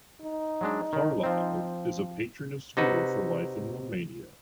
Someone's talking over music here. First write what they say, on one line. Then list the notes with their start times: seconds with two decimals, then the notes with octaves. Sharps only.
Carlyle is a patron of School For Life in Romania.
0.21 D#4
0.61 F#3 G#3 D4
0.93 D#3
1.23 F3 C4
2.77 C3 D#4 F#4 B4